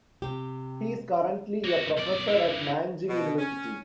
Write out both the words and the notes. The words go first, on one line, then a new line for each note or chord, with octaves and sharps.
He is currently a professor at Nanjing University.
C3 G4
A#3 F#4
B1 D5
D3 E3
B2
C#4